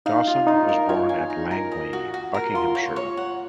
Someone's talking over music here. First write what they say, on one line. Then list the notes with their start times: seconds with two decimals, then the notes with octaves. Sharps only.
Dawson was born at Langley, Buckinghamshire.
0.06 D#4 F5
0.27 F4
0.47 D#4 F4
0.69 A#4
0.89 F4 C#5
1.09 G#5
1.30 D#4
1.51 A#4
1.72 D#5
1.93 F#4
2.14 F#4
2.34 A#4
2.54 F4 C6
2.75 C#5
2.96 C#5
3.17 F#5